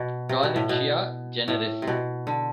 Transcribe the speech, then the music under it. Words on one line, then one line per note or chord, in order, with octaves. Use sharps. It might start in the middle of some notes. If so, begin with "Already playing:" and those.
Call it Shea generis.
Already playing: B2
C3
B2
A2
B2
A2
C3
B2
D3